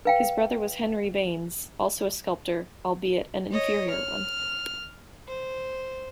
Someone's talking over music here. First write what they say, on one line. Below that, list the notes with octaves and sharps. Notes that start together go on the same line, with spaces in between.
His brother was Henry Behnes, also a sculptor, albeit an inferior one.
B4 F5 G5
C#5 D#5
F6
C5